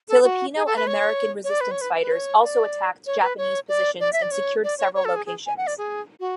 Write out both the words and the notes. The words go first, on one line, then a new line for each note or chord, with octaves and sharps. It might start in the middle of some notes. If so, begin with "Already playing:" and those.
Filipino and American resistance fighters also attacked Japanese positions and secured several locations.
A4
F#4
G#4
A4
B4
C#5
C#5
D5
B4
C#5
B4
B4
C#5
D5
C#5
B4
C#5
D5
D5
E5
D5
C#5
D5
C#5
C#5
A4
G#4
G#4
G#5
F#5
D5
G#4
F#4